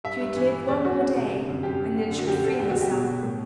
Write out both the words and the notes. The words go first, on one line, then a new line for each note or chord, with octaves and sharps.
She would live one more day, and then she would free herself.
G2 E5
G2
E3
E3
E2 D5
E2 F#4
E2 F#4
C3
D3
F#2
F#2 G4
F#2
D3
D3
F#4
F#2 G4
D3 A4
E2 G4
F#4
E2
G4
B2
B2
A2